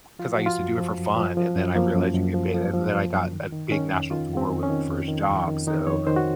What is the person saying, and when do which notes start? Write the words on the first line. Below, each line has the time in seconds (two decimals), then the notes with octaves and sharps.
'cause I used to do it for fun, and then I realized you get paid, and then I got a big national tour with first job, so
0.19 F3 F4
0.33 F#4
0.38 F3
0.46 F4
0.59 F#2
0.77 F3
0.97 F#2
1.16 F3
1.37 F3
1.56 F#2
1.75 F3 A#3
1.95 F#2
2.15 F#2
2.34 F3
2.54 F3
2.74 F3
2.94 F3
3.12 F#2
3.33 D#3
3.52 D#3
3.71 D#3 C#4
3.91 F2
4.11 D#3 F4
4.30 F2
4.37 C4
4.50 D#3
4.63 C#4
4.70 D#3
4.89 F2
5.08 D#3
5.28 F2
5.48 D#3
5.67 D#3 D#4
5.87 F2 C#5
6.07 D#3 C5
6.16 F#4